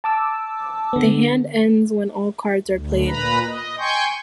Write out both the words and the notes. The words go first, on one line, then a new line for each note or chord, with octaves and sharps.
The hand ends when all cards are played.
A5 D6 E6
D3 B3
D2
A#2 B4 A#5 B5
D#5
G5 G#5 C6 C#6 G6